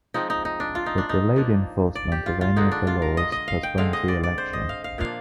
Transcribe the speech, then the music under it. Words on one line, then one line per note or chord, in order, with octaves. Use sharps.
The delayed enforcement of any of the laws postpones the election.
F3 G#3 C4 D#4
D#4
D#4
D4
F4
D#4
D4
D#4
F3 A#3 D4
D5
G4
F4
F4
D3 G#3 D4 D#4
D4
F4
A#4
D#5
D#5
F5
G5
D3 G#3 C4 F5
D#5
D5
D5
C5
D#5
F5
F5
A#2 F3 A#3 D4 F5